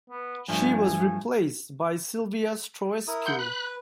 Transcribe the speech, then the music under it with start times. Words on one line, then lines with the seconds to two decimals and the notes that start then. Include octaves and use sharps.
She was replaced by Silvia Stroescu.
0.10 B3
0.48 G2 F3 A3 G#5
3.08 E4 A#4 D#6
3.26 F#5 C6 G6
3.39 B4 B5 F#6